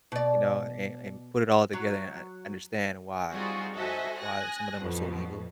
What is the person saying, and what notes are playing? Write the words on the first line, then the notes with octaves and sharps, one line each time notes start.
you know, and and put it all together and and understand why you know, w why some of them are so evil,
B2 D5
F#3
G3 C4 D#4 F4 F#4 G#4
F#4 A4 C5 D#5 E5 G#5
G#5 D#6 F#6 A#6
A1 F2 B2